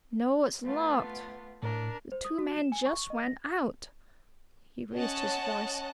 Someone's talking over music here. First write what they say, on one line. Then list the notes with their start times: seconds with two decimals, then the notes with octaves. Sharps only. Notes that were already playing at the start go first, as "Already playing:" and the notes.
"No, it's locked--the two men just went out." He raised his voice.
0.65 A3 B3 F4
1.63 A2 D4 A#4
2.12 C5
2.25 D#6
2.38 F#4
2.56 E7
2.72 G#5
2.86 C#6
3.10 D#5
3.23 A#6
4.95 C#4 C#5 D#5 F#5 A5 F#6